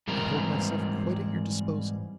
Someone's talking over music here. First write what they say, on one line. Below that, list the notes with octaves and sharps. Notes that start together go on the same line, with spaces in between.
I hold myself quite at your disposal.
G#2 E3 G3 C4 A#4